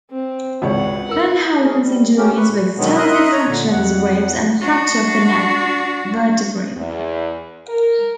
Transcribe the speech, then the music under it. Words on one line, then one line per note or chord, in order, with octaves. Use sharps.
Penhaligon's injuries were extensive fracture of his ribs and fracture of the neck vertebrae.
C4
G#1 C#2 B4 C#5 F#5
A#4 E6
C#4 G#4
G3
A#3 C#4 G4 A#4
B4 C#6
A#2
B2 D3 D#3 F#3 G#3 B3
A#4 D#5 E5 C6 D#6 F#6
C#5 A#5
A#2 D3
F2 F#5
D4 F#4
E2
A#4